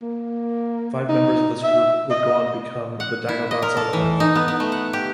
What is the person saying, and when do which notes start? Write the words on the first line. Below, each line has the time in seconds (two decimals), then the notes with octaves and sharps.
Five members of this group would go on to become the Dinobots on Earth.
0.02 A#3
1.09 D#4
1.63 E5
2.10 D#5
3.00 F#5
3.29 E4
3.51 D#5
3.62 A#4
3.77 A4
3.93 E3
4.20 D#4
4.35 B3
4.48 B3
4.60 A3
4.72 F#5
4.93 G4